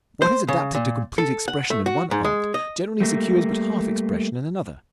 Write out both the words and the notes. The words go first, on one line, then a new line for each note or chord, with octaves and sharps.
What is adapted to complete expression in one art generally secures but half expression in another.
C5
C#3
A#2
A4
F#5
A3
F#4
G#2
G#3
D#5
G3 A3 A#3